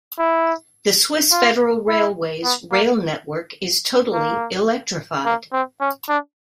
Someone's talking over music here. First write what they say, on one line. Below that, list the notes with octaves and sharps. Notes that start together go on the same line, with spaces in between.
The Swiss Federal Railways rail network is totally electrified.
E4
F4
E4
B3
A#3
A#3
A#3
C4
C#4
D4